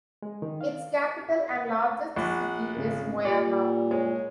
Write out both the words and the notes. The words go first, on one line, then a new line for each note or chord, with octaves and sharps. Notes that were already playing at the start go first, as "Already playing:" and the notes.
Its capital and largest city is Moyamba.
G#3
D#3
F5
A#1 F#5
G#1 C#3 A#4
A#2 G3 D5
G#3 C#5